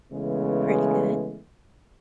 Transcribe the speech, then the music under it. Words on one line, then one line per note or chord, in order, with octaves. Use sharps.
M pretty good.
C#3 E3 G#3 A3 B3